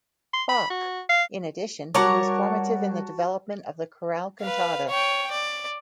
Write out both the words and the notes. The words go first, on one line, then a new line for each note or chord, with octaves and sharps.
Bach; in addition he was formative in the development of the chorale cantata.
C6
B5
F#4
F5
G3 F#4 A#4 C#5 F#5 A5 D6
B4 F5
C#5 G5
D5